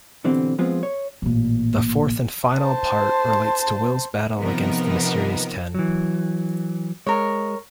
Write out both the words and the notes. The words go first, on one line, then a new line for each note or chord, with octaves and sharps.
The fourth and final part relates to Will's battle against the mysterious Ten.
B2 D3 E3 C4 G4
F3 G#3 B3 C4 F4 G#4
C#5
A1 A#2
C5 A5
C3 D#3 F3 B3 D#4 A#4
E3 F#3
G#3 A#4 C#5